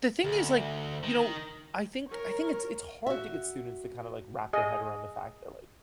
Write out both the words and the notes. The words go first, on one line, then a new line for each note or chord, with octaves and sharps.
the thing is, like, you know, I think I think it's it's hard to get students to kinda, like, wrap their head around the fact that, like,
D2
D#3
A#4 C#5
F#4 E5
G#4 D#5